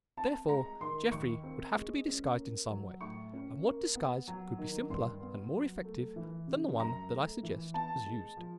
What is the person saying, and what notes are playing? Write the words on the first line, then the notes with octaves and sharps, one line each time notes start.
Therefore Jeffrey would have to be disguised in some way; and what disguise could be simpler and more effective than the one that I suggest was used?
C4 A5
G#3 A#5
D#3 C6
D#2 C#6
C4
G#3
C#4
A#3
F#3
A2 C#6
C#4
A#3
B3
F#3
D#3
G2 C6
B3
F#3
A3
E3
C#3
F#2 A#5
A3
E3
B3 A5
G#3
F3